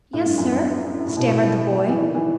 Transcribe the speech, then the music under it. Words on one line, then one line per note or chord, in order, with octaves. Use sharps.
'Yes, sir,' stammered the boy.
A2
G2
F#2
G2
A2
B2
A2
E3
D#3
E3